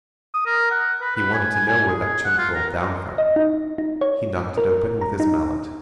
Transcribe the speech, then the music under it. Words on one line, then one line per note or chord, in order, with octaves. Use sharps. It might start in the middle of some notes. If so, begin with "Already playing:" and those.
He wanted to know where that chunk rolled down from. He knocked it open with his mallet.
D#6
A#4
F#5
B4
B4
G#5
G#5
G#5
G#4
F#5
F4
A#4
D#5
D#4
D#4
C#5
A#4
A#5
D#4